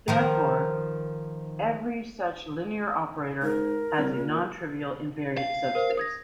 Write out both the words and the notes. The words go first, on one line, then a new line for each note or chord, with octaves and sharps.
Therefore, every such linear operator has a non-trivial invariant subspace.
D#3 F3 A#4
G#2 A#4
C2
A#2
F5
A#4 C5
D#6 G#6 A#6